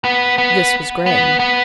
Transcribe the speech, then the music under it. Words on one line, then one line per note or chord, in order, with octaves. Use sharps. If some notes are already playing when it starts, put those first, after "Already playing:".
This was Graham.
B3
B3
B3
B3